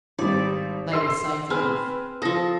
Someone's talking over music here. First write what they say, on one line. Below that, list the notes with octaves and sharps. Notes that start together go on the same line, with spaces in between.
They were safe enough.
G#1 G3 D5
C6 E6 C7
C4 G#4 B4 F6
F3 A4 D#6 A#6